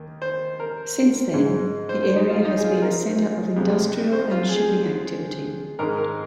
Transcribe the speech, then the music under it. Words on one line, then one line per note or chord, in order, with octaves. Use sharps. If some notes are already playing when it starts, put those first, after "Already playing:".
Since then, the area has been a center of industrial and shipping activity.
Already playing: D#2 D#3
C5
A#4
G#2 G#3
C5
C5
D#4
F4
D#4
G#4
F4
A#4
F2 C3 G#3
C5
F4
G#4
G#2 D#3 G#3 A#4
A#4